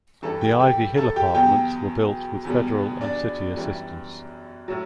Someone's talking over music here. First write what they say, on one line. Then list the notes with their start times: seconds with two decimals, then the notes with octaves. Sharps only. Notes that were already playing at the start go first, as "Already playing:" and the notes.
The Ivy Hill Apartments were built with federal and city assistance.
0.22 G2 E3 G3 A4 A5
0.41 G4 G5
0.60 G4 G5
0.97 A4 A5
1.16 G4 G5
1.34 E2 B2 F#3 G4 G5
2.45 E2 B2 G3
3.01 D4 D5
3.57 F#2 E3 G3
4.68 A2 F#3